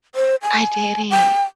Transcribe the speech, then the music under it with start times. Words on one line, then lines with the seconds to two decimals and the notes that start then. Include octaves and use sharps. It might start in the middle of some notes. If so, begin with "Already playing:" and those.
I didn't.
0.15 C5
0.43 G#5
1.10 G5